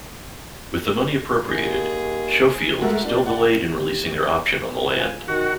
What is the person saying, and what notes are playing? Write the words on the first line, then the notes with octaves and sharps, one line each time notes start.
With the money appropriated, Schofield still delayed in releasing their option on the land.
D#2 G#4
G#3 A3 F#4 A4 A#4 E5
D4 D5
D5 F#5
G4
F4 G#5
D#3 F#4